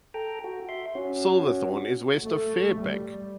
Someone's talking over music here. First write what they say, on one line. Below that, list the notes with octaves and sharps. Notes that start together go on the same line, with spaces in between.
Silverthorn is west of Fairbank.
A4 G5 A#5
F#4
E5 C6
C#4 F#4
A3
G3